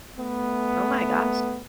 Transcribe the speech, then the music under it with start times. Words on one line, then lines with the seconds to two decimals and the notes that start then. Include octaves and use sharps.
Oh, my gosh.
0.17 A3 B3